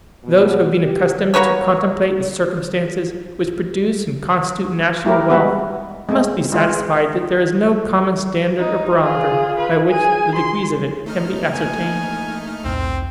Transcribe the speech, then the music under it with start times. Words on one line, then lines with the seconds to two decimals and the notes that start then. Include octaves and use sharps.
Those who have been accustomed to contemplate the circumstances which produce and constitute national wealth, must be satisfied that there is no common standard or barometer by which the degrees of it can be ascertained.
0.24 B2
0.79 G4
1.34 A#3 F#4 B4 C#5
5.05 A3 E4 G4 A#4
5.30 G3 G#3 B3 F#4 B4
6.09 G#3 A3
6.52 G#3 F4 G#4
8.58 D#4
9.02 F4 G#4
9.57 F4 B4
9.88 G#4 G#5
10.35 C6
11.06 A3 D#4 F6
11.55 A#3 G#5
12.64 B1 E2 A2 C4